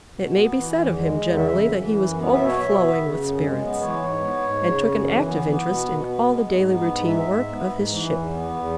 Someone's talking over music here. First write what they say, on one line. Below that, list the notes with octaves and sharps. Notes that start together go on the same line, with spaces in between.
It may be said of him, generally, that he was overflowing with spirits, and took an active interest in all the daily routine work of his ship.
B2
B3
E3
E2
G#3
E2
C#3 E5
F#2
E3
F#2
B3
E5
B2
C#5
B2 E5
B3
C#3
F#2
G#3
B3
E3 C#5
G#2
B3
G#2
C#3
F#2
E3
B3
B3
B2
B2
B3
G#3
G#2
B3
G#2
G#3 E5
G#2
B3
G#2
E3
E2
B3
E2